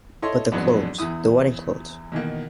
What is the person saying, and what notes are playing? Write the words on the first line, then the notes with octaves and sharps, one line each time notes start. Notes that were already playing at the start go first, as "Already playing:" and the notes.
But the clothes, the wedding clothes!
E4 A4 C#5 D#5 C6
F2 G#2 E3 F#3 B3 D4
E2 E3 E4 D#6
B2 D#3 E3 A#3